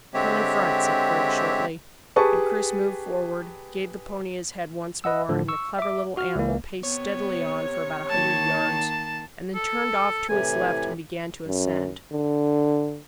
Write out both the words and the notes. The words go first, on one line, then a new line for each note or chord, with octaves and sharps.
"Come in front," said Griggs shortly, and Chris moved forward, gave the pony his head once more, and the clever little animal paced steadily on for about a hundred yards, and then turned off to its left and began to ascend.
D3 G#3 C4 G4 C#5 E5
G4 G#4 B4 A5 C#6
B4 D#5 F#5 E6
A2 D3 F3
C#6 E6
E5 D6
F#4 F6
C#2 A#3
C3 B3 C#5
D#3 A#3 A5
A4
A2 C3 E3 G#5
F#2
D3